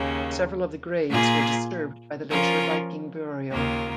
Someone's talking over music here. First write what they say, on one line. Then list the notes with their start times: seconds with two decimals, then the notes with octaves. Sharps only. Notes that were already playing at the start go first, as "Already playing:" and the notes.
Several of the graves were disturbed by the later Viking burial.
Already playing: D#2 C#3 A#3 C#4
1.09 A#2 A#3 F4 G#4
2.29 F3 C#4 F4 A#4
3.50 D#2 C#3 A#3 F4 A#4